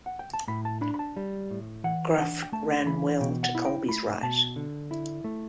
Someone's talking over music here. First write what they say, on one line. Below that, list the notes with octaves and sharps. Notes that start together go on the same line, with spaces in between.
Graf ran well to Kolbe's right.
F#5
G5
A5
A2 B5
A5
D4 B5
B5
A5
G3
A2
E3 F#5
D4 F#5
G5
A3 A5
E3 B5
B2 G5
F#5
E4
F#5
G5
A3 B5
B2 A5
D3
E4
A3